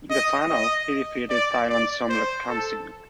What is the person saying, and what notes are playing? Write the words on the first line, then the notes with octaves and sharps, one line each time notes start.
In the final he defeated Thailand's Somluck Kamsing.
D#5
D#5
D5
D5
C5
A4